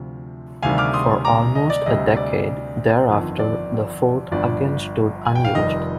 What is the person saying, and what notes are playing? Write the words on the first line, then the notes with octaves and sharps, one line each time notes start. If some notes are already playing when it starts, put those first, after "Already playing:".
For almost a decade thereafter the fort again stood unused.
Already playing: D2 C3 F3
D2 C3 D#3 G3 F5 G#5
D6 F6
C6 D#6
A#5 D6
D#5
D5
D2 C3 G3 D#5
D5
G1 F2 D#3
D5
G1 G2 F3 D5
G#5
G5
F5
F1 F2 D#3 G3 D#5